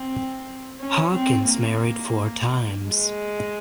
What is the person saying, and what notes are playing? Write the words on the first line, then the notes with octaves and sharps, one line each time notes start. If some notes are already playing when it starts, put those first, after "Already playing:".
Hawkins married four times.
Already playing: C4
C#4
C4
A#3
G#3